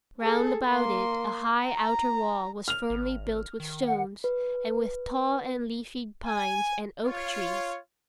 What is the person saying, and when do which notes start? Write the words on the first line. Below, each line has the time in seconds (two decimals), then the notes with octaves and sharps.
Round about it a high outer wall was firmly built with stones, and with tall and leafy pines and oak-trees.
0.21 G#4 A4
0.67 A#3 C6
1.66 A#5
2.68 F6 F7
2.90 G#1
3.60 D#3
3.83 F#5
4.24 B4
6.26 G#5
7.05 F4 C#5